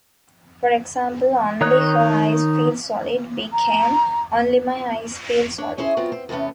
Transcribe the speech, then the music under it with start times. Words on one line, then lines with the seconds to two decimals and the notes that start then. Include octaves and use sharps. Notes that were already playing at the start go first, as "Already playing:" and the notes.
For example, "Only her eyes feel solid" became "Only my eyes feel solid".
1.61 D#3 D#4 C#5 F#6
3.53 A#5
5.58 D4 C#5
5.78 C#4 E4 G#4 C5
5.97 F#3 B3 C4 F4
6.12 C4
6.29 E2 C3 A3 B3 C#4